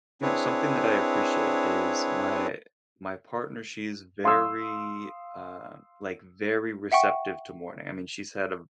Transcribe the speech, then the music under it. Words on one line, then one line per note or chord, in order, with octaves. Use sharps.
you know, something that I appreciate is my my partner, she's very, uh like, very receptive to mourning. I mean, she's had a v
C4 D4 E4 G#4 B4 C#5
F5 C6 D#6 E6
E5 F#5 G5 C#6